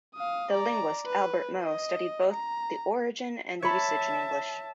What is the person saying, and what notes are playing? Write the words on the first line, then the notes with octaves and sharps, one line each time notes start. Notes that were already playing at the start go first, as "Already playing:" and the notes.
The linguist Albert Moe studied both the origin and the usage in English.
F5 D#6
D5 A#5
B4
D#5
A#5
C#5 E5 A5 B5